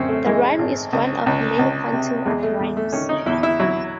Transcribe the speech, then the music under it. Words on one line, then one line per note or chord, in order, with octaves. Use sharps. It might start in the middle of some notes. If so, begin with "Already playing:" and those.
The rhyme is one of many counting-out rhymes.
Already playing: F#2 C4 C#4
A3
E3 G#3
G#1
C#2
C#2
C#2
C3
E2 G#3
A3
E2
A3
D#3 C#4
D#4
E2 E4
E4
F#3 E4